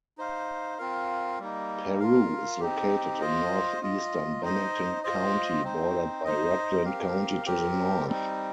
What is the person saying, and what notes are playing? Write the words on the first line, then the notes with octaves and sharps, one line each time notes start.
Peru is located in northeastern Bennington County, bordered by Rutland County to the north.
D#4 C5 F5
C4 F4 A#4 F5
G3 A#3 D#4
F4 A#4 F5
C4 D#4 G4
F4 C5 D#5
F4 D#5
D#4 C5 D#5
F4 C5 D#5
C4 D#4 C5
D#4 C5 D#5
C4 G4 A#4 F5
C4 G4 A#4
G3 C4 D#4